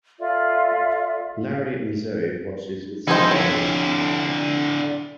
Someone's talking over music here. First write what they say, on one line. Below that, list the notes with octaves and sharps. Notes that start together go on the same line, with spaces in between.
Larry and Zoe watch this with smiles.
F4 A4 D5 E5
C3 F3 D#4 E4 G#4 A4 C5 D#5
D3 E4 C#5